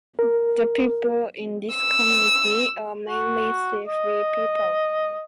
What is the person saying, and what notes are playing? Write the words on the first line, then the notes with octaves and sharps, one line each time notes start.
The people in this community are mainly Sefwi people.
A#4
E6
F#4
D#5